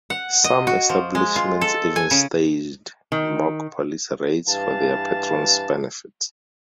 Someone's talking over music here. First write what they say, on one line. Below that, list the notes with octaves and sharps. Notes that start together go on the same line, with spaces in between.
Some establishments even staged mock police raids for their patrons' benefit.
F#5
D#5
F#4
F3
G#3
F4
A4
G#5
C#3
D#3
G2 E3 B4 F5 A5